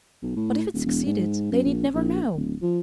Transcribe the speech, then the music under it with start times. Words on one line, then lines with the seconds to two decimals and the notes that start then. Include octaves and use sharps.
'But if it succeeded, they need never know.
0.22 B1
0.36 A2
0.74 D#1
0.86 E1
1.06 G#2
1.52 F#2
1.65 A#1
1.94 A#1
2.36 D1
2.62 F3